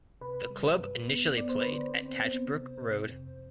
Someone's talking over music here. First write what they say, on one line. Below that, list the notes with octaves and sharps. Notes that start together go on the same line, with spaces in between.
The club initially played at Tatchbrook Road.
C3 B4
G3
G2
B3
B3 D5
C5
B4
D3
C5
C4
C4
C3
C3
F2